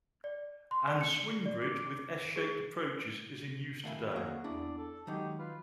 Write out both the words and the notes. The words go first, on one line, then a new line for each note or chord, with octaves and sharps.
An swing bridge with S-shaped approaches is in use today.
D5
C6
D5
C#7
D5
D6
G#4
D#3 A3 E4 F5 G#5
D#2 A#3 F#4 G#4
E2 D4 E4 G#4 D5
A4
D#3 F#3 G#3 D#4 G4
F4 B4